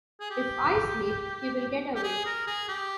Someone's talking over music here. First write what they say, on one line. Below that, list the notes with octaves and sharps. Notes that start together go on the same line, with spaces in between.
If I sleep — he will get away.
G#4
G4
G4
G#4
A#4
G#4
G4